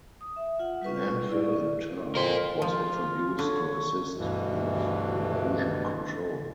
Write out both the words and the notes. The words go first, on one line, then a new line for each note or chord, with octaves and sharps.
Landfill and turf was introduced to assist with erosion control.
D#6
E5
F4 F#5
G3 F4 B4 C#6
E4 G#4 D5 C#6
F2 A#4 C6
F3 F4
D3 C#5
D2 G2 B2 E3